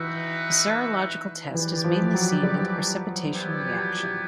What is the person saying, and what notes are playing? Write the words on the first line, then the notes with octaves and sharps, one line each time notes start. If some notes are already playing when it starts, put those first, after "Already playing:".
The serological test is mainly seen in the precipitation reaction.
Already playing: E3 D#4 F#4 B4 E5 G5
E3 E4 G4 B4 D5
F3
F#3
G3
B3 E4 G4